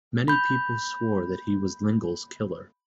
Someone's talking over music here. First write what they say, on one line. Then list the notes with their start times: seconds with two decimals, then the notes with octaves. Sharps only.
Many people swore that he was Lingle's killer.
0.28 B5 G6